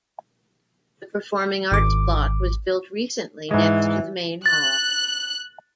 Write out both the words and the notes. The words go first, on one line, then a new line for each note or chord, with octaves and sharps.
The Performing Arts Block was built recently next to the Main Hall.
G#1 D6
G#2 E3 G#3
F#6 A6